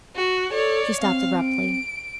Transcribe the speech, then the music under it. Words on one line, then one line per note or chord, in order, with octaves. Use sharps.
She stopped abruptly.
F#4
A4 C#5 D5
C4 F5
D7